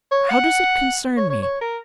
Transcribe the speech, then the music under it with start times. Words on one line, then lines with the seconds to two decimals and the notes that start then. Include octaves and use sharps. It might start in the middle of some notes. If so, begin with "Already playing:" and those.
How does it concern me?
0.11 C#5
0.30 F#5
1.17 C#5
1.30 C#5
1.42 C#5
1.61 A#4